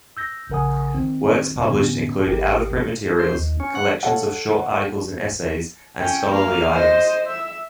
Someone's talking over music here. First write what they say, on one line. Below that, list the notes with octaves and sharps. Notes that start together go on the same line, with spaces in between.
Works published include out-of-print materials, collections of short articles and essays, and scholarly items.
E6 G6 A#6
A#1 C#3 A#4 F#5 G#5 D#6
D#3 C4
A2 D3 B3 C#4
G#1 G4 A#4
C5
D#2
C#4
F#5
A4 C#5 F5 F#5
C#4 G5
A#3 F5
C5 D#5
E5